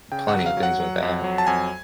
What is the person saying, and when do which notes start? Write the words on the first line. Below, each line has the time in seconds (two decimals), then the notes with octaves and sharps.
plenty of things with that.
0.12 C#3 G5
0.28 F#5
0.34 F#3
0.46 F5
0.57 F#3
0.63 F#5
0.80 F#3
1.02 F2
1.24 F#3
1.38 A5
1.47 F2 G#5